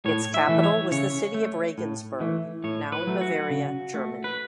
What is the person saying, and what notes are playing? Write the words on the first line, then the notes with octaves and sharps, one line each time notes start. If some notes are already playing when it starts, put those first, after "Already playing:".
Its capital was the city of Regensburg, now in Bavaria, Germany.
A2 C#5
E5
E3 A3
C#5
C#3 C#5
A3
A2
E3 A3
A2 C#5
B4
F#3 A3
F#4
C#3
A3
B4